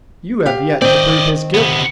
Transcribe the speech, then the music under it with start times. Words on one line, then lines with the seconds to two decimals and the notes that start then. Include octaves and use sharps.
"You have yet to prove his guilt."
0.46 G4 F5
0.82 D#3 C4 D5 D#5
1.54 C3 B3